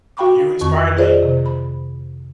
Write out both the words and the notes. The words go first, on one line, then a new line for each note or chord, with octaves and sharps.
You inspired me.
F#4 F5 G5 B5 C#6 D6
F2 D#3 C4 C#6
F4 G#4 C5 D5 D#5
C3
B5